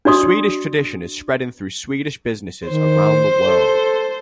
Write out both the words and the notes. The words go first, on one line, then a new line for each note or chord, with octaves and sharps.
The Swedish tradition is spreading through Swedish businesses around the world.
D4 F#4 D5 C6 D#6
D#3 C5
A4